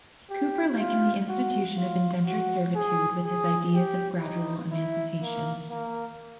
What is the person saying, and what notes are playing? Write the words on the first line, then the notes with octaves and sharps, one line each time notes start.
Cooper likened the institution of indentured servitude with his ideas of gradual emancipation.
G4
F4
F#4
F4
F#4
G#4
G#4
G4
D#4
E4
A#3
A#3